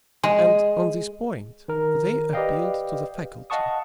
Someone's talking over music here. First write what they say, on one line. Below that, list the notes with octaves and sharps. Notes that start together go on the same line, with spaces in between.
And on this point, they appealed to the Faculty.
G#3
D#3 A#4
G4 B4 D5 D#5 F5 G5
D#5 F5 F#5 A5 C#6 D#6